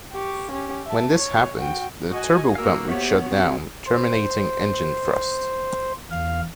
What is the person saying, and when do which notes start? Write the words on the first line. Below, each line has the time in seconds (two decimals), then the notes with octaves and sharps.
When this happened, the turbopump would shut down, terminating engine thrust.
0.13 G4 C#6
0.51 C#4 G4
0.85 E5 A5
1.15 C#5
1.57 F#4 G5
2.10 F#4 D#5 G#5
2.55 A#3 F#4 A#4 F5 E6
2.89 B3 G4 C5 C#5 E5
3.26 C4 F#4
3.87 C5
6.11 E2 F5